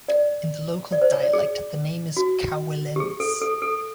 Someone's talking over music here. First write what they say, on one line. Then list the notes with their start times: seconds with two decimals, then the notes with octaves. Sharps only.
In the local dialect the name is Kowelenz.
0.08 D5
0.92 D5
1.02 C5
1.13 C#5
1.23 D5
1.33 G#4
2.17 F#4
2.96 G4
3.00 G#4
3.20 A4
3.42 A4
3.62 A4